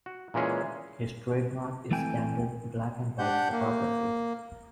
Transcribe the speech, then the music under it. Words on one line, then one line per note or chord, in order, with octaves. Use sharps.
His trademark is candid black-and-white photography.
F#4
A#2 E3 G#3 C#4 G#4
E3 A3 C4 G5 G#5
D4 G4 F#5 G6
A#3